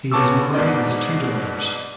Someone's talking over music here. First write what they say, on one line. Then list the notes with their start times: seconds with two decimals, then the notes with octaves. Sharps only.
He was married with two daughters.
0.12 C#3 B3 A5 C#6 D6 E6
0.54 G#2 B2 D4 D5 D#5